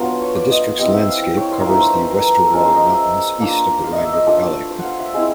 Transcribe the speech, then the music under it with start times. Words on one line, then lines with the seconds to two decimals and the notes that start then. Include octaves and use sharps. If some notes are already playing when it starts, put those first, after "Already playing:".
The districts landscape covers the Westerwald mountains, east of the Rhine river valley.
Already playing: F#3 B3 D4 F4
0.22 C#5
0.36 D5
0.51 D#5
0.79 G3 C4 E4 D#5
0.94 E5
1.08 F5
1.22 G5
1.37 C#5
1.52 C5
1.60 A#4
1.66 F3 A3 D4 B4
1.81 C5
1.95 B4
2.10 A#4
2.39 A4
2.53 G#3 C#4 F4 A#4
2.64 C5
2.75 D#5
2.86 E5
3.40 A#3 D4 F4
3.84 F5
3.92 D#5
3.98 E5
4.13 D#5
4.27 A3 D4 F4 D#5
4.42 D5
4.71 C5
4.79 F5 F#5
5.00 E5
5.14 G#3 C4 E4 F5